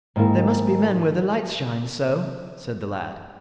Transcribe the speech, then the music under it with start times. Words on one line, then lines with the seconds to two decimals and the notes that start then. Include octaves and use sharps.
There must be men where the lights shine so', said the lad.
0.16 G#2 D#3 A#3 E4